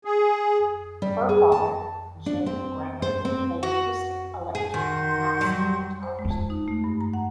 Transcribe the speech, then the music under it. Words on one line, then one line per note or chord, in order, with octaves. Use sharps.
Her father, Jim Grammer, played acoustic, electric, and lap steel guitars.
G#4
G3
G#4
A5
D4
C4
C5
C4
F#4
G#4
D#3 F#4 C6 G6
F#3 G3
C5
G#3
F2
D#4
A3
G2
A#5
F#5